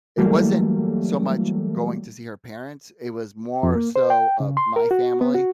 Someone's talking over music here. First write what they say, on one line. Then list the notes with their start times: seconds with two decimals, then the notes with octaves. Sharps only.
it wasn't so much going to see her parents, it was more so of my family,
0.17 E3 F#3 G3 A3 A#3
3.63 F2
3.75 A#3
3.96 C5
4.10 G5
4.40 C#3
4.57 C6
4.76 A#4
4.91 F#4
5.21 B3
5.34 F#4